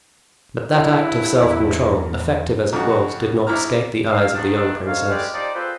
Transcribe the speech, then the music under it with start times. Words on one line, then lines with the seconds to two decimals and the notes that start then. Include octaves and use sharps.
But that act of self-control, effective as it was, did not escape the eyes of the young princess.
0.72 G2 F#3 E4
1.39 E2
2.73 F2 C#3 F#4
3.47 A#1 E4 A#5 F6
4.11 F5
4.34 B2 D#3 D4
4.86 G#2 D3 C#5 F5
5.09 B2 D3 G#3 G4 D5 F6
5.34 F3 G3 D#4 C5 D5
5.55 C4 F4 G#4 A4 B4 C5